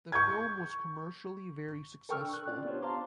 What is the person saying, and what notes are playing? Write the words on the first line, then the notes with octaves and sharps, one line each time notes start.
The film was commercially very successful.
C#6 G6 G#6
A4 A#4 G5 C#6 E6 F6
D4
F#6
C#4 F4 D5
B3 D4 F4 G4 C5 C#5
F5 A5 A#5 C6 D6